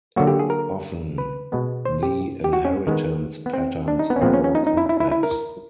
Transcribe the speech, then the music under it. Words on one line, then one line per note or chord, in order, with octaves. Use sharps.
Often, the inheritance patterns are more complex.
D3 F#3 A#3 F#4
G4
G#4
A#4
B4
B2 G#3 B3
C5
G4
G4
F#4
C#4
D#3 G#3 B3
B3
C4
D4
D#4
B3
C#4
A#2 F3 G#3 B3 C4
C#4
C#4
D#4
D#4
E4
E4
E4
E4
A#4